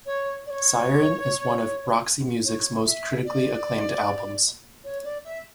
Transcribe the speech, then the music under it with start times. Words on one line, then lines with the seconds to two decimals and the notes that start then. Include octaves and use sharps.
"Siren" is one of Roxy Music's most critically acclaimed albums.
0.05 C#5
0.46 D5
0.50 C#5
2.45 C#5
2.84 E5
3.24 D5
4.84 C#5
5.03 D5
5.23 E5